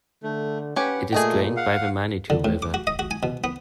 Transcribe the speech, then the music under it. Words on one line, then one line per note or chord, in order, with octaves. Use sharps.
It is drained by the Manitou River.
D3 A3
C#4 G4 B4 F#5
A#2 A3 G#4 D#5 G5
F5 F#5
D3
A2
D6
F#4
D#5
F#4
G#5
B2
B3